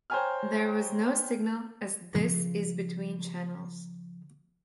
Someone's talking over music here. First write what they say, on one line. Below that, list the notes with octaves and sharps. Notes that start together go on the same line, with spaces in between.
There was no signal, as this is between channels.
C5 C#5 G5 G#5 A#5 F6
C#3 F3